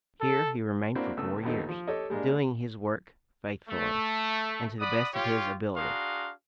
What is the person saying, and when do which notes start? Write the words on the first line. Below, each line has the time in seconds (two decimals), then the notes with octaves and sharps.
Here he remained for four years, doing his work faithfully, and to the best of his ability.
0.21 A4
0.95 A#3 C4 D4 E4 F#4
1.17 C#2 A3 B3 E6
1.43 D#2 A#2 B3 D#4 A4
1.69 F3
1.88 G4 A4 C#5 D#5
2.10 G3 G#3 A#3 D4
3.69 A3
4.79 D5 F#5 B5 D#6
5.13 F4 G4 C#5
5.76 D4 F#4 G#4 F5 A#5 C6